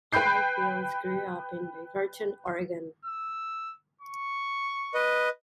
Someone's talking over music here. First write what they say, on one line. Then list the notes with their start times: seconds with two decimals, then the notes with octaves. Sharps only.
Tye Fields grew up in Beaverton, Oregon.
0.13 B4 G5 B5 G6 C7
3.05 E6
4.01 C#6
4.94 B4 D#5